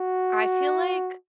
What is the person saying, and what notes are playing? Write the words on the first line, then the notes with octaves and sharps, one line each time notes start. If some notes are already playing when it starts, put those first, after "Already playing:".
I feel like,
Already playing: F#4